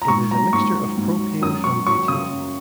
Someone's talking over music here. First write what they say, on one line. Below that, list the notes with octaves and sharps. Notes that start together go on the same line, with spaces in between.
It is a mixture of propane and butane.
A#5
G#2 C#6
F#3 A#5
G#2 C#6
F#3
G#2
F#3
F#2 D#6
F#2 C#6
F#3 C#6
C#3 D#6
F#2